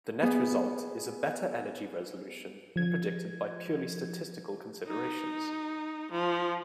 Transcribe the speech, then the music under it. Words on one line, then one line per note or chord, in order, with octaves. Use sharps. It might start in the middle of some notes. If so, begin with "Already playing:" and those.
The net result is a better energy resolution than predicted by purely statistical considerations.
B3 G#4
F3 G#6
D#4
F3